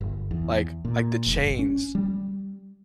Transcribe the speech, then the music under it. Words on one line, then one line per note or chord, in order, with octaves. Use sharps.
like like the chains.
G1
E2
A#2
F1
G1
C#4
G3